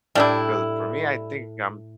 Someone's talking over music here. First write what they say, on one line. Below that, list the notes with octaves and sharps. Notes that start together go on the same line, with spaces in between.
'Cause for me, I think I'm
A2 G3 D4 E4